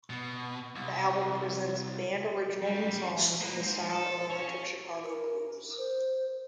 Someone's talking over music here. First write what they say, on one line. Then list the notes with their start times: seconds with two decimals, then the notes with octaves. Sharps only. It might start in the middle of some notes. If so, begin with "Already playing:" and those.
The album presents band originals and songs in the style of electric Chicago blues.
0.10 B2
0.75 C2
2.62 F#2 G3
3.40 A#3 B4
3.60 G#2
3.90 A4
4.30 C#4
5.03 A#4
5.78 C5